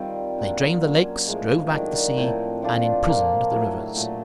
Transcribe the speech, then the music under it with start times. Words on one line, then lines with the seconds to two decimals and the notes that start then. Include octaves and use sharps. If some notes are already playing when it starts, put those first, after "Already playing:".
They drained the lakes, drove back the sea, and imprisoned the rivers.
Already playing: D#3 G3 C4 F4
0.38 F#3 A#3 D4 F4
0.82 F#3 A#3 C#4
1.27 A2 F3 G#3
1.72 D#3 F#3 A#3 D4
2.17 A2 F3 A3 C4
2.62 F3 A3 D4 F4
3.07 A#2 F3 A#3
3.51 A2 F#3 A3
3.96 A#2 F#3 A3